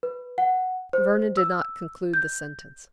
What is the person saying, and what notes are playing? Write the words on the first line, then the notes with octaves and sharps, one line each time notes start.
Vernon did not conclude the sentence.
B4
F#5
C5
E6
G6